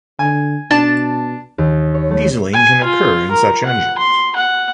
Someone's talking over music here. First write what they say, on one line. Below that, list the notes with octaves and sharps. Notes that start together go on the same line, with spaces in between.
Dieseling can occur in such engines.
D3 G#5
B2 D4 A5
D#2
C#5
A3
G#5
F4
A#4
F#5
C6
F#5